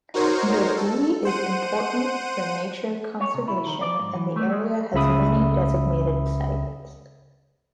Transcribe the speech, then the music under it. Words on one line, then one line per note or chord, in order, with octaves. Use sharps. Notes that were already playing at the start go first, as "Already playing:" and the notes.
The Dee is important for nature conservation and the area has many designated sites.
D#4 F#4 A#4 C5 C#5
A4
C5 F#5 D#7
C#5
C3
E4
D#3
D5
G#2
E3
A3
G#3
C#2 C#3 E5 B5 D#6